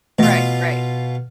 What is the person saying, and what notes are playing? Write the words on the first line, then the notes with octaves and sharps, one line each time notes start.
Right, right.
B2 E3 A3 F4 A#6